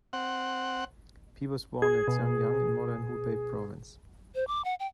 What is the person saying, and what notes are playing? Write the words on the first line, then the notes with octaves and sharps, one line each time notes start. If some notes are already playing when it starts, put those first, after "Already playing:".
Pi was born at Xiangyang, in modern Hubei Province.
C4 F#5
G#4 G#6
B2
C5
D6
F#5
G5